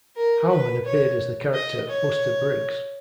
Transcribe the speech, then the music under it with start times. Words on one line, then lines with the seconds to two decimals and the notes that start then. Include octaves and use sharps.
Howman appeared as the character Buster Briggs.
0.16 A#4
0.51 B4
0.85 C#5
1.54 D#5
1.89 C#5